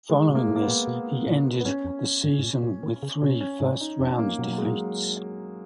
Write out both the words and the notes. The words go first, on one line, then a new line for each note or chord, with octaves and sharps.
Following this he ended the season with three first round defeats.
D#3 G#3
B2
A#3
G#2
A#3
B3
A#2
B2
A#2
B3
G#2 C#4
F2
G#2
G#2
A#2
B2
D#3
C#3
B2 C#4
C#4
G#2 C#4
D#4
F2 C#4
A#3
B2 F#3
G#3